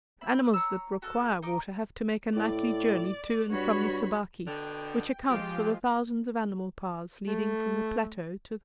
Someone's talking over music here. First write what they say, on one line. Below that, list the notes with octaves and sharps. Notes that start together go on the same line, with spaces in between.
The animals that require water have to make a nightly journey to and from the Sabaki, which accounts for the thousands of animal paths leading from the plateau to the river.
E5 B5
C#5 A#5 E6
F#4 A4 F6
D#4 A#4 D#5 D6
A2 D5
G2 F#4 C#5 B5
B2 D3 G5
F3 G#3 F4 G4
A3